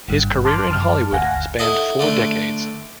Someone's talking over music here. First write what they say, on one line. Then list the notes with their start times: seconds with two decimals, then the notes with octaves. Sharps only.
His career in Hollywood spanned four decades.
0.08 G#1 G2
0.45 A5 C6 D6 F6
0.69 F#2 A5 F6
1.12 G1 D2 F5 F#5 G#5 A#6
1.59 E4 A4 D#5 F#5
1.99 D3 A3 A4